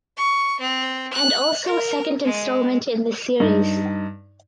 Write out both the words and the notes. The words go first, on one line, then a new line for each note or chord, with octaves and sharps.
And also second installment in this series.
C#6
C4
F#6
A#4
G#3
G2 D#4